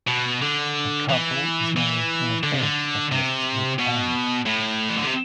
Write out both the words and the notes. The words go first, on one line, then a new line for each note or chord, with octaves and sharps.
A couple is married in a church as guests look on.
B2
D3
E3
E3
D3
C3
D3
C3
B2
A2
E3
D3
C3